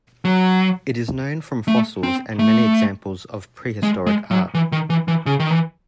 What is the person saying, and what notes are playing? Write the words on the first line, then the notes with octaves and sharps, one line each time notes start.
It is known from fossils and many examples of prehistoric art.
F#3
A3
C4
A3
G#3
G#3
F#3
E3
D#3
E3
E3
C#3
D#3
E3